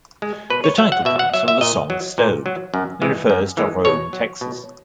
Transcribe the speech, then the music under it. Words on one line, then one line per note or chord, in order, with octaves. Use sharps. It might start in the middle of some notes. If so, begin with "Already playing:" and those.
The title comes from the song, "Stoned," and refers to Rhome, Texas.
G#3
B2 B4
C#5
F#3 E5
F#5
B2 E5
F#5
F#3 E5
E5
A#2 D#5
F#3
A#2
F#3
F#2
E3 G#3
F#2
E3 G#3
B2 C#5
F#3
B2